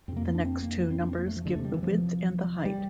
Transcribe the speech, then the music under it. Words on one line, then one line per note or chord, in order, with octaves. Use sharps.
The next two numbers give the width and the height.
F2 C3 A#3 C4
A#3
D4
C4
A#3
A#3
C4
D4
C4
A#3
A3
F3
D3
E2 C3 A3
G3
E3
F3
G3